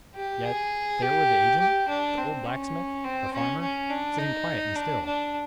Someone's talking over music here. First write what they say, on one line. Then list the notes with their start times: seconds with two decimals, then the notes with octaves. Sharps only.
Yet there were the agent, the old blacksmith, the farmer, sitting quiet and still.
0.15 G4
0.44 G#4
1.02 G4
1.60 G4
1.88 D4
2.18 C4
2.45 C#4
3.04 C4
3.33 C#4
3.61 C#4
3.90 D4
4.18 D#4
4.76 D4
5.05 D4